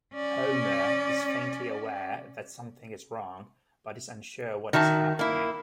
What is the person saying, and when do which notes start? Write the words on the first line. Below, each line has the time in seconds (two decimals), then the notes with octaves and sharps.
Homer is faintly aware that something is wrong, but is unsure what is happening.
0.14 C#4 D5
4.73 D#3 F#4 E5 A5
5.19 A#3 E4